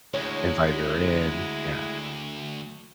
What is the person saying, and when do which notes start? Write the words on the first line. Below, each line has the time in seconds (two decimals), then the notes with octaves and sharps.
and invited her in. Yeah.
0.14 D2 G#3 E4 C#5